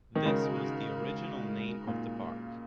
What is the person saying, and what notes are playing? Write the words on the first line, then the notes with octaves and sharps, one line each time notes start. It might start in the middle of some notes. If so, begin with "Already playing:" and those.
This was the original name of the park.
D#3
C#3 G#3 D#4 F#4 A#4
A#2